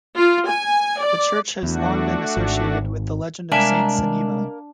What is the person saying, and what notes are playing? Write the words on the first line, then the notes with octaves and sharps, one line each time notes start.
The church has long been associated with the legend of Saint Sunniva.
F4
G#5
D5
E2 A3 D4 F#4
G#1
C2 G#3 A#3 D4 A#4 E5 G#5